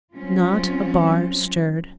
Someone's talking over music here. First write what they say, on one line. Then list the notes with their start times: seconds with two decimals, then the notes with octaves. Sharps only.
Not a bar stirred.
0.14 F#3 G3 C4 C#4 F4